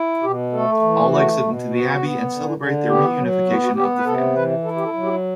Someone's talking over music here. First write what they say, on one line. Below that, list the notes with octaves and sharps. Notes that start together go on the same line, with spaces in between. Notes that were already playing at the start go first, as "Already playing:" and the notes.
All exit into the abbey to celebrate the reunification of the family.
Already playing: E4
B2 G4
A3 A4
E3
A3 F#4
B2
B3 F#4
B3
D3
D3
B3 G4
F#3
B3 F#4
F#4
B3 G4
B4
C3 A4
E3 B4
E4 A4
G4
A4
F#3
G4